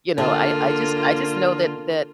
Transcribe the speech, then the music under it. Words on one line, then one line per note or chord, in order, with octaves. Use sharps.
you know, I I just I just know that that,
D3 A#3 F4